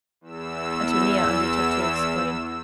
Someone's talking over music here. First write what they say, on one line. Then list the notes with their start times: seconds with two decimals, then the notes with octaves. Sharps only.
Antonia undertook to explain.
0.21 E2 E6